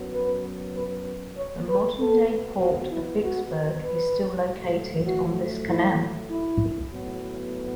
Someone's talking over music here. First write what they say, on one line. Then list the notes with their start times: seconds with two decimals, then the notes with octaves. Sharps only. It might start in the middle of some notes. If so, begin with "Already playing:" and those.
The modern-day port of Vicksburg is still located on this canal.
Already playing: F#2 F#3 B3
0.14 B4
0.76 B4
1.38 C#5
1.68 B4
1.99 B2 B3 A4
2.60 F#4
2.91 E4
3.22 F#4
3.83 B4
4.45 A2 F#3 A3
5.07 F#4
5.68 E4
6.29 E4
6.91 A2 F#3 B3